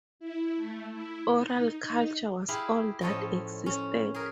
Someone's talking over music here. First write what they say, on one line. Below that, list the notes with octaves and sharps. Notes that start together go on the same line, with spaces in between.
Oral culture was all that existed.
E4
A3
E4
D#4
D#4
E4 G4 G#4 F5 B5 C6
A2 F3 C#4 A4 D#5
C#4
G#4 A#4